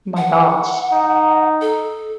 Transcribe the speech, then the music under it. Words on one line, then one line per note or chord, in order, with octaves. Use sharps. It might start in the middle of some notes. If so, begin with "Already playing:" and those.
my gosh,
F#5
D#4
A4